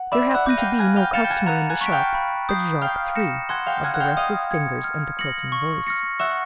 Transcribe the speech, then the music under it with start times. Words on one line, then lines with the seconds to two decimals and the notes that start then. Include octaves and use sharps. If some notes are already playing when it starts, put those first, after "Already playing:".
There happened to be no customer in the shop but Jacques Three, of the restless fingers and the croaking voice.
Already playing: F#5
0.12 D5 E5 B5
0.34 E5 F#5
0.46 F#5 D6 G6 A#6 D#7
0.57 F5 G5
0.79 F#5 G#5 F6
0.96 F5 G5
1.13 F5 G5 A6 C#7 E7
1.24 G5
1.30 F#5 G#5
1.46 F#5 G#5 A#5
1.69 F#5 G#5
1.81 C#6 F#6 B6 D7
1.92 F5 G5
2.15 B5
2.49 D#6 G6 C7
2.82 F5 G5 F6
3.15 A#6 C#7 E7
3.49 F#5 G#5 C6
3.66 F5 G5
3.83 F#5 G#5 F6 G#6
3.94 F#5
4.00 F5 G5
4.17 D#5 F5 D#6
4.51 G#6 C#7
4.84 F6
5.19 A#6 C#7 F#7
5.52 C#6
5.87 F6 A#6 C#7
6.20 E5 F#5 C#6